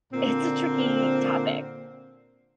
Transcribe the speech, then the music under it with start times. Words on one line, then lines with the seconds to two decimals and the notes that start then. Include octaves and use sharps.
it's a tricky topic,
0.13 A#2 D3 A#3 C4